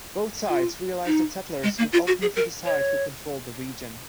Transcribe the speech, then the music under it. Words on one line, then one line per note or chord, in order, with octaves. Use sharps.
Both sides realized that settlers would ultimately decide who controlled the region.
F4
D#4
G#3
A#3
F4
F#4
G#4
A#4
C#5